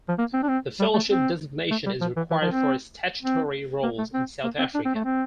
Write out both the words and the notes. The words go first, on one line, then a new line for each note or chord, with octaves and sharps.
The Fellowship designation is required for statutory roles in South Africa.
F3
A#3
C4
D4
C4
G3
A3
C4
A3
G3
F3
E3
E3
F3
C4
C4
A#3
A3
C4
A#3
C4
D4
C4
A3
C4